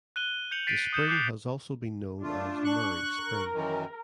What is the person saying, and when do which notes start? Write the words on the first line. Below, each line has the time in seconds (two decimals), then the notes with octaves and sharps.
The spring has also been known as Murray Spring.
0.16 F#6 D#7 G7
0.51 G6 C#7 F7 F#7
0.67 A6 B6 C7 D7 D#7
0.93 D#6 G6 C#7 E7
1.08 D6 F#6 G6 C7 F7
2.23 A3 D4 F4
2.64 C#6 F#6
3.21 A#4
3.53 F#2 D#3 E3